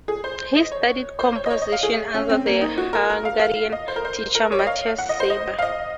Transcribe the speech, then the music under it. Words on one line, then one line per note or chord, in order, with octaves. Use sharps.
He studied composition under the Hungarian teacher Matyas Seiber.
G#4
C5
D#5
C#5
C5
C#5
D#5
C#5
D#5
F5
G#4
C#4
C4
A#3
D#4
F#4
A#4
A#4
F5
F5
D#5
C5
A#4
C5
A#4
C#5
D#5
F5
F#5
D#5
C5
D#5
F5
D#5